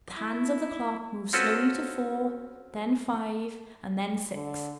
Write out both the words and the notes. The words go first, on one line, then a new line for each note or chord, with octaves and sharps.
The hands of the clock moved slowly to four, then five and then six.
E4
C4 C#4 F4 F#4 A4 B4
D3